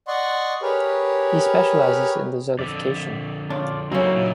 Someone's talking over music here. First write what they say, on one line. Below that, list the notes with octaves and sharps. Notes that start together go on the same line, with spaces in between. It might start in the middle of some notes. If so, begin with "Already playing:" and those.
He specialises in desertification.
D5 D#5 F#5 C6 C#6
G4 G#4 A#4 B4 C#5
F2 D3 D5 E5
C#3 D4 F4 D5
C#3 F#3 A#3 C4 C#4 D#4 E4 A4
A#2